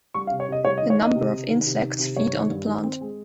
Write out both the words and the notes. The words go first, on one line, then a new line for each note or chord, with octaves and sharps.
A number of insects feed on the plant.
G3 C#6
F5
C3
C#5
C3 D#5
G3 C#5
D#5
D#3
C#5
D#3 D#5
C3
C3
D#3
C3
D#3
C3
G2 C#5
D#3
G2
D#3
C4
G#3